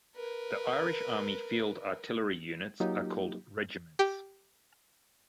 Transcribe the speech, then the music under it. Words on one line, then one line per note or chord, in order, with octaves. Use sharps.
The Irish Army field artillery units are called regiments.
A#4 B4
F#3 A#3 D#4 F4 G4
G4